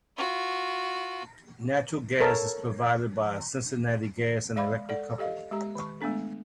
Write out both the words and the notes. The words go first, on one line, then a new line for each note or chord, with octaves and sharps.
Natural gas is provided by the Cincinnati Gas and Electric Company.
F4 F#4
A4 A#4 C#5 A5
G#3 D5 F5 B5 D6
A4 D5 F#5
G4 A4 D#5 F5
G#3 G4 A#5
D#3 C#6
G#3 A3 B3 D4 A4